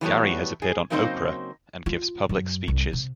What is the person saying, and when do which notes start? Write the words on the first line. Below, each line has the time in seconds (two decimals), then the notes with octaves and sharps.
Gary has appeared on "Oprah" and gives public speeches.
0.01 E3 F#3 G3 A3 B3 C#5
0.62 G#4
0.90 C#3 F#3 A#3 C4 D#4 C5
1.86 F4
2.29 F#2
2.68 C2
2.93 C3